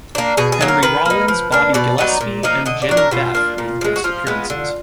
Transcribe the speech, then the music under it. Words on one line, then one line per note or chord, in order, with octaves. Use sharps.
Henry Rollins, Bobby Gillespie and Jehnny Beth made guest appearances.
A#3 D4
B2 G#4
G#4
F#3 A#3
A#4
D#3 B4
A#3 D#4
F3
A#3 D4
B2 D5
F#3 B3 D#4
A#2
F3 A#3 D#4
D3 D#5
D5
F#3 D4
A#4
B2 F4
A#3 D4
A#2
F3
G#3
F#4
F3 F4
G#3 B3
D3